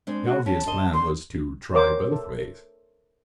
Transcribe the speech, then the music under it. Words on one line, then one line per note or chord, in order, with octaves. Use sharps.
The obvious plan was to try both ways.
G#3 C4 D4
F#4
B3 C#4 A5
D4 C5 D#5
D3 C6
A#4 C5 C#5 D6
A4